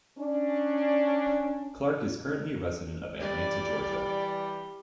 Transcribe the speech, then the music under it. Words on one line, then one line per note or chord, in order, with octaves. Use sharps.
Clark is currently a resident of Atlanta, Georgia.
C#4 D4
E3 G3 G4 D5